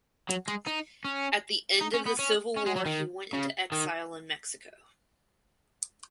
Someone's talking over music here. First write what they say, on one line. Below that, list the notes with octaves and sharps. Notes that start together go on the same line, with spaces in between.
At the end of the civil war he went into exile in Mexico.
F#3
G#3
D#4
C#4
D#4
C#4
B3
C#4
C#4
G#3
F#3
D#3
C#3
D#3